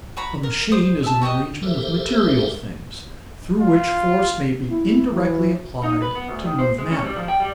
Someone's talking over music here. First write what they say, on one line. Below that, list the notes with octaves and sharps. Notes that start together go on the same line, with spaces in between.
A machine is an arrangement of material things through which force may be indirectly applied to move matter.
F#4 A#5 B5
A#4
C5 D#6
E5 A5
F#4 G4 A4 D#5
G4 A4 A#4 C5 E5
F4
E4
E3
D#4
B4
B3
D2
D#3
C5
G#3
C#4
G3
F3
G5
G3